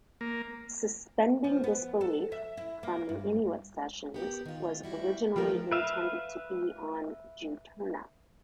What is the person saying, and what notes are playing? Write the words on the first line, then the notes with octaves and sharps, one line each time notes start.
"Suspending Disbelief", from "The Inuit Sessions", was originally intended to be on "Juturna".
A#3
F3
B3
A4
E5
E4
A#3
G2
B3 G4 A#4
D#3 F4
G3 E4 F#4
F3 A3 A#3 A#4 B4 G5
B4 E5 F5